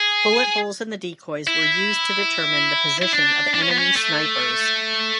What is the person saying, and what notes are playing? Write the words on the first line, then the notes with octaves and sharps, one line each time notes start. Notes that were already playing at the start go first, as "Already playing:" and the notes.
Bullet holes in the decoys were used to determine the position of enemy snipers.
Already playing: G#4
E4
E4
D4
D4
C#4
B3
C#4
A3